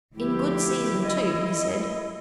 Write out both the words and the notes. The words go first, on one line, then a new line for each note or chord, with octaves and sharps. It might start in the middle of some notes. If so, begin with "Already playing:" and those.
"In good season, too," he said.
D2 F3 E4 G4
F#3 G3 D#5